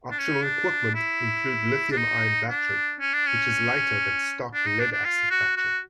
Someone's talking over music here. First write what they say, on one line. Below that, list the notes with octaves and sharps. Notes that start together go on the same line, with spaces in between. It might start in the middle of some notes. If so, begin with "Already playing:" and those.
Optional equipment include lithium-ion battery, which is lighter than stock lead-acid battery.
D4
C#4
D4
E4
D4
D#4
D4
C#4
D4
C#4
D4
D#4
D4
D4
F4
F#4
F#4